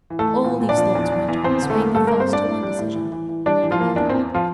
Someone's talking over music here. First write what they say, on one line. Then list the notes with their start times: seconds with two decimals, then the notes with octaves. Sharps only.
All these thoughts went on, swaying her first to one decision and then another.
0.10 E3
0.19 A3 A4
0.27 E3
0.44 A#2
0.61 A#2
0.69 D4 D5
0.77 F3
0.95 E2
1.12 E2
1.28 E2
1.44 E2 C4 C5
1.62 D3
1.70 A3 A4
1.79 A#3
1.95 G2 A3 A4
2.07 A#3 A#4
2.12 G2
2.20 C4 C5
2.28 G2
2.33 D4 D5
2.45 A2
2.63 G3
2.79 A2
2.95 E3
3.12 E3
3.29 E3
3.46 G3 D4 D5
3.63 E3
3.71 F3 F4
3.80 A#3
3.96 E2 D4
4.09 C4
4.14 E2
4.34 F3 F4